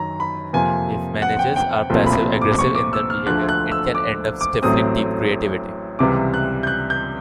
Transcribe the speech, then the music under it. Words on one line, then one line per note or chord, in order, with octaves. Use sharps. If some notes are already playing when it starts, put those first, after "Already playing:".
If managers are passive-aggressive in their behavior, it can end up stifling team creativity.
Already playing: F#2 D#3 F#3 A#5
B5
F2 C3 F3 A#3 G#5
F#5
G5
G5
C2 A#2 F3 A3 C4
B5
D6
C#6
D6
E6
F6
D2 D3 F3 A3 F#6
F#6
E6
D6
D6
A1 A2 F#3 A3 C4 D#6
C#2 C3 E3 G3 D6
F#6
G6
F#6
G6